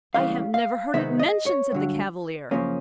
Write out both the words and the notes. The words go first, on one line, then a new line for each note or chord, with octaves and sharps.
"I have never heard it mentioned," said the Cavalier.
C#2 C#3 E3 G3 F5
F5
C3 D#3 G#3 B3 D#4 E5
D#5
C#5
G2 D3 F#3
F#2 C#3 F3 A#3 C#4